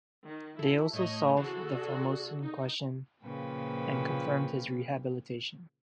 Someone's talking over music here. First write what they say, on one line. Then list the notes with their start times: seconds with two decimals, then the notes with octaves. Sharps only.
They also solved the Formosan question and confirmed his rehabilitation.
0.24 D#3
0.59 E4 F4 A4
0.93 A2 A3 C#5 D#5
1.37 C#3 E3 C4 F#4 G#4 A4
1.71 C3 D4
2.42 D#4
3.24 A#2 C#3 F3 A#3 B4 G5